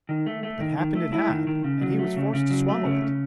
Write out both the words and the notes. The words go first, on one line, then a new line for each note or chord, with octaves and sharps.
But happened it had, and he was forced to swallow it.
D#3
A3
A3
D#3
D#3
A3
A3 E4
D#3
D#3
C#3
F#3
A3
C#3
C#3
F#3
A3
C#3
C#3